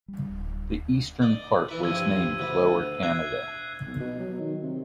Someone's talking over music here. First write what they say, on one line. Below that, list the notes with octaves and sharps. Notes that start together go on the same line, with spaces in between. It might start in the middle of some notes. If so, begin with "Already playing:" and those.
The eastern part was named Lower Canada.
G3
D1
D5 D#5
E3 E4 B4
G2 F3 E6 G#6 D#7
D2 B4
E5 F#6 G#6 C7
B1
B2
F#3
D#3
C3